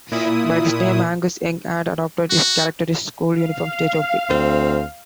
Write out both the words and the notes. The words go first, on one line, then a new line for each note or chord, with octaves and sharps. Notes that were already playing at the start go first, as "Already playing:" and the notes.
By this time, Angus Young had adopted his characteristic school-uniform stage outfit.
A#2 E4 D#6
F#4
F5
D2 C4